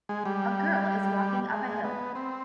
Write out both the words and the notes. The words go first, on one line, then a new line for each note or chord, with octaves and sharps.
A girl is walking up a hill.
G#3
G3
G#3
B3
C4